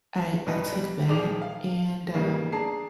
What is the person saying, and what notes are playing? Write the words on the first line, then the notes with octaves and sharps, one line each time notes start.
I I took that, and, um,
C2 G2 B2 D#4 B4
G3
D#1 D#3 G#4 D5 D6 F7
F5
G#2 C#3 G3 A#3 B3
D4 G#4 A5 A#5 C7